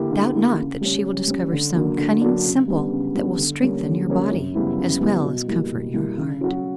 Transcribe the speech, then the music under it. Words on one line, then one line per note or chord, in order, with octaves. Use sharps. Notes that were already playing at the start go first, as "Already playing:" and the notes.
Doubt not that she will discover some cunning simple, that will strengthen your body, as well as comfort your heart.
Already playing: D3 A#3 E4 G4
D3
A#3 E4 G4
C#3
G3 C#4
C#3
G3 C#4
D3
F#3 A#3 D4
D3
F#3 A#3 D4
C#3
G3 B3 D4
C#3
G3 B3 D4
D3
G3 A#3 C#4
D3
G3 A#3 C#4
F#2
C#3 G3 B3 E4
F#2
C#3 G3 B3 E4
B2
G3 A#3 E4
B2
G3 A#3 E4
C#3
F#3 C#4 F#4